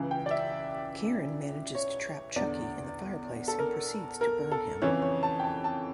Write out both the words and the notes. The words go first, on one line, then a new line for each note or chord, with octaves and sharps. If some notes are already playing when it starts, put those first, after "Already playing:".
Karen manages to trap Chucky in the fireplace and proceeds to burn him.
Already playing: C#2 C#3 E3
G5
D5
E5
C#5
E2 D3 D5
A4
A#4
A#4
A4
F2 C#3 E3 C#5
C#5
A5
G5
A5
A5